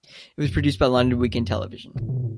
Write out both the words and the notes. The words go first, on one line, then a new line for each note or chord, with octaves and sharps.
It was produced by London Weekend Television.
F#2
F#2
E2
E2
F#2
A2
B2
A2